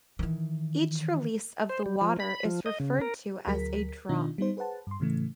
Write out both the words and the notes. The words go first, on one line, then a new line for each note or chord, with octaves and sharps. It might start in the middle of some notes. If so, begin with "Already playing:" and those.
Each release of the water is referred to as a drop.
D#3 E3
C5
G3
F3
B5
F3
D#5
C#3
A#4
D2 F#3 G#4 A#4 B6
B2 D#3 D4 D#4 F4
G3 B3 D#4 C5
G#4 B4 C5 F#5 A5
G2 C6
A2 C#3 E3 A3